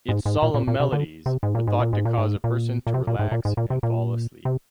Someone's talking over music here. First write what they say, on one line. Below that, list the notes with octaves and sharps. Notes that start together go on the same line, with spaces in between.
Its solemn melodies were thought to cause a person to relax and fall asleep.
G#2
G#2
A#2
A#2
A#2
C3
D3
C3
G#2
A#2
G#2
A#2
G#2
A#2
G#2
A#2
A#2
C3
A#2
G#2
A#2
G#2
A#2
C3
A#2
C3